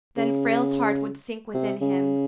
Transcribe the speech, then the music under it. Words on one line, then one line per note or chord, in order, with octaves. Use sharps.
Then Frale's heart would sink within him.
C#3
C3
C#3